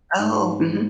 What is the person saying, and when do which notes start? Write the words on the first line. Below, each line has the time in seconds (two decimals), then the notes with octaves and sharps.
Oh, mhm.
0.20 G#2